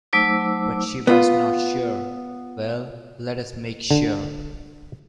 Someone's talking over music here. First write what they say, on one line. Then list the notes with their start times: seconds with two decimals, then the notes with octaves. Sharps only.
But she was not sure - well, let us make sure!
0.13 F#3 A3 D#4 C5 D6 E6
1.07 B3 F4
3.91 D3